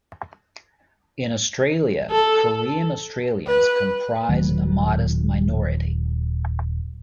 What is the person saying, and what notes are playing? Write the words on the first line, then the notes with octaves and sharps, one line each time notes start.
In Australia, Korean Australians comprise a modest minority.
A4
B4
D#1 D#3 F#3 A3